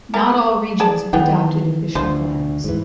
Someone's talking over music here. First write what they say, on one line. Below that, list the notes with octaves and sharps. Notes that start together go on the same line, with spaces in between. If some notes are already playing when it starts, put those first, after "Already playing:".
Not all regions have adopted official flags.
A3 B3 A#4
G#4 D5 A5
D#3 E3 B3 G#4 G5
D2 F4 C5
G#2 E3